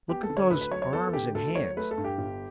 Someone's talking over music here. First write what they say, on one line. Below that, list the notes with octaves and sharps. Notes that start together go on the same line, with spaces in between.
Look at those arms and hands!
B3 G4
A4
D3
C#5
D2 B4
B4
F#3 C#5
C#5
B3 A4
A4
D3 G4
D2 A4
F#3 C#5
A3 B4
A4
G2
G4
G1